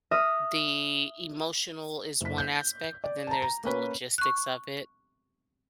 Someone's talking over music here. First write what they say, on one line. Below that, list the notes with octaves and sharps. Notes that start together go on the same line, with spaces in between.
the emotional is one aspect, but then there's the logistics of it.
E5 D#6 F6 A#6
F#1 B6
G6
D5
A5 A#5
A#5
A#3 C#4 B4
C#6 F#6